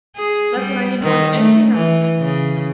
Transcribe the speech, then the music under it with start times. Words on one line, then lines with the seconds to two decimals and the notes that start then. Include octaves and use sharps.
That's what I need more than anything else.
0.16 G#4
0.59 G3
1.02 D#3
1.38 A3
1.72 E3
2.20 C#3